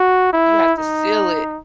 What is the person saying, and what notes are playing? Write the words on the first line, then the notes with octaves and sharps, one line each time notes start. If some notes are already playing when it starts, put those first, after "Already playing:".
You have to seal it.
Already playing: F#4
E4
D#4